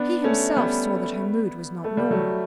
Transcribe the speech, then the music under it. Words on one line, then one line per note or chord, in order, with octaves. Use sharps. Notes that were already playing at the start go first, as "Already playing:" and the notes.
He himself saw that her mood was not normal.
Already playing: B3 D4
A3 C#4
G3 B3
A3
G3
F#3 A3